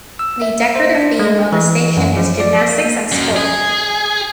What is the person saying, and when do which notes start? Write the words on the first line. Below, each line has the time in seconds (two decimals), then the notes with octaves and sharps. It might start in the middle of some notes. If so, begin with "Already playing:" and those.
The decorative theme of the station is "gymnastics and sport".
0.19 E6
0.42 E5
0.76 C5
0.95 D4
1.19 G#3
1.52 E3
1.97 F#2
2.17 F3
2.40 D5
2.61 A#3
3.12 F#2
3.36 G#4